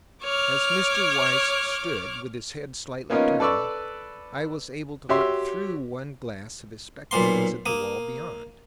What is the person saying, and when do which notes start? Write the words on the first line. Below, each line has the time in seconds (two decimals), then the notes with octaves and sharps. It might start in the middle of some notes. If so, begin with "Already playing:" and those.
As Mr. Weiss stood, with his head slightly turned, I was able to look through one glass of his spectacles at the wall beyond.
0.22 C#5 D6 F6
3.10 A#3 B3 C#4 D#4 F4 A#4
3.40 A4 B4 D5 C#6 E6
5.09 F#4 G4 C#5 E5 C6
7.11 B1 A#2 A#3 C6
7.66 A#3 D#6